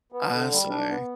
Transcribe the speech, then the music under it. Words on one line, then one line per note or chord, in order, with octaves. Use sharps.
I see.
B3
D3
G3
D4
B3